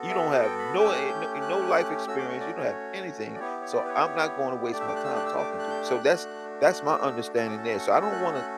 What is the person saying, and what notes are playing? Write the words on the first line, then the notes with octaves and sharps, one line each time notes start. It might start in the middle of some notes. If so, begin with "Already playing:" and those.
"You don't have no, eh, no no life experience. You don't have anything, so I'm not going to waste my time talking to you," so that's that's my understanding there, so I don't wanna
Already playing: B3 F#4 A4
E5
G5
B5
A3 C#4 G4 D6
E6
F#6
G6
F#6
A3 C#4 F#4 E6
D6
C#6
D5
C#5
D5
B3 E4 G4 C#5
C#5
D5
B4
C#5
A3 D4 G4 D5
E5
D6
F#6
E6
F#6
E6
D6
F#6
G6
F#6
A3 D4 F#4
F#6
E6
A3 C#4 F#4 A4 E6
D6
A5
B5
C#6
D6
E6
F#6
F#6